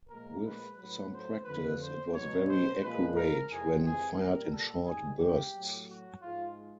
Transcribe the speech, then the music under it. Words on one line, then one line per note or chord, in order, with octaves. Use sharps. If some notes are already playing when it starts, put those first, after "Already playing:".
With some practice, it was very accurate when fired in short bursts.
A#2 F3 G#3 A#4
B4
A2 F#3 B4
C5
F2 D3 F3 B4
C5
B2 F#3 C#5
C5
A#2 F3 G#3 B4
A#4
F2 C3 E3 G#3 G#4
G#4
A#2 G3 A#4
A4
G#2 D#3 G3 G#4
G4
A2 F#3
F#4
G#2 F3 G#3 F4